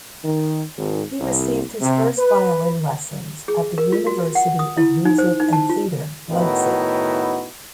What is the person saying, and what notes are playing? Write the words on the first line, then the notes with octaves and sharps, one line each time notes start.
He received his first violin lessons at the University of Music and Theatre Leipzig.
D#3
G#1
C2
C3
B4
G#4
A#4
F4
F#4
F#5
D#6
E4
D#4
C5
D#4
A5
F4
A2 D#3 B3 D#4 E4 F#4